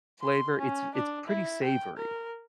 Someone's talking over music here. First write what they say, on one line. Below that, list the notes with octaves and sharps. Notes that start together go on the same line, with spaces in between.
flavor. It’s it’s pretty savory,
C6
C#4
D4
E4
G5
A#4